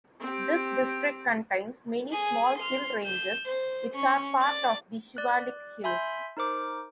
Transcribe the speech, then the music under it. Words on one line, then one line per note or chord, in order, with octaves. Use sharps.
This district contains many small hill ranges which are part of the Shivalik Hills.
C4 G4
G#4 G#5
C6 F6
G6 E7
C5
C#4 C#6
D5 A6
D5 F#6
E5 G#5 B5 C6 G6
D#4 A#4 C5 D6